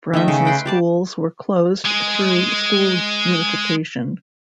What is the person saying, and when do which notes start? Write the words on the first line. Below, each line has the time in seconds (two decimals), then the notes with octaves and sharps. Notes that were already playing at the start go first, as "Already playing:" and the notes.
Bronson schools were closed through school unification.
0.14 D#3 A3 D#5 E5
0.28 C#3
0.45 B4 G5 C6
0.66 G3 D5 A5
1.85 G#3 G#4